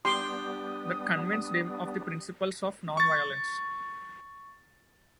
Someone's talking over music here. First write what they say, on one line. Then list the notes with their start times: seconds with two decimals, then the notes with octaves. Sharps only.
That convinced him of the principles of nonviolence.
0.05 G3 B3 D4 G4 C6 D#6
2.97 C#6 A6